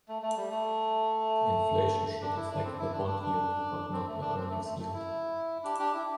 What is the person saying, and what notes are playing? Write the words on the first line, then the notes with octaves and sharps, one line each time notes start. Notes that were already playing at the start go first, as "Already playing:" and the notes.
Inflation should affect the bond yield, but not the earnings yield.
A3
A3
G3
A3
D4
E4
D4
C4
E4
D4
D4
D4
C4
A3
D4
C4
A3
A3
A3
E4
D4 G4
D4 G4
E4